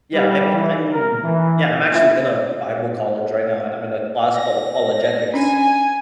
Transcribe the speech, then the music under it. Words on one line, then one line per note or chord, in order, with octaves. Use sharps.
Yeah, I’m in I’m in Yeah, I'm actually in a bible college right now, and I'm in a class called Apologetics.
G3
E3
A#4
E3
D4 F4 E5
A#6
C#4 D4 G#5